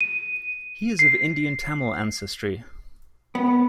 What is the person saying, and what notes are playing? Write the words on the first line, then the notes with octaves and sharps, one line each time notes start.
He is of Indian Tamil ancestry.
D#7
C7
B3